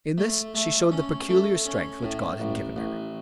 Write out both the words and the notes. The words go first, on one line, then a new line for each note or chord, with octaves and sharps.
In this she showed the peculiar strength which God had given her.
A3
A3
C#4
A3
C#4
A2
A1
A1